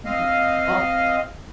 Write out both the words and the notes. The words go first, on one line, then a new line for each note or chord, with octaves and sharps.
Mhm Oh.
C4 D#5 F5